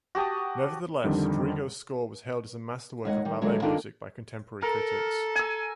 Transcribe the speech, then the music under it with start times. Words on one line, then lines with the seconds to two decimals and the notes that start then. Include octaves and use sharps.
Nevertheless, Drigo's score was hailed as a masterwork of ballet music by contemporary critics.
0.15 F#4 G4 A5 D#6
1.04 F2 D3 D#3 G3
3.05 D#2 G#3 D#5 F#5
3.25 D#3 G3
3.41 D3 E3 F#3 G#3
3.62 D#3 A#3 D4 D#4 F4 A4
4.62 A4 A#4
5.35 G#5 E6